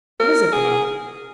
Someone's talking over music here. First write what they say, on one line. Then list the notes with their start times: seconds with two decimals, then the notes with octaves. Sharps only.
"What is it then?"
0.20 A#4
0.53 G#4